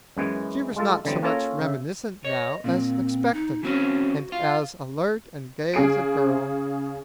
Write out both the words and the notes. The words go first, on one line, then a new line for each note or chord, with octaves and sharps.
She was not so much reminiscent now as expectant, and as alert and gay as a girl.
F#2 E3 G#3 B3 G#5
G#3 F4 A4
D3 E3 F#3 G3 B3 C4
A#3 C#4 F4 A4 C#5 A#5
C#3 E5
C#5 D#5
A#2 C4
D#4
E3 C4 C#4 F#4
F4
C#3 G#4 C7 D7